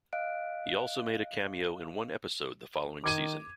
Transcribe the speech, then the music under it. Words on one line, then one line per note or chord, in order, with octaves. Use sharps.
He also made a cameo in one episode the following season.
D#5 F5 F#6 D7
D#3 D6 G#6 D#7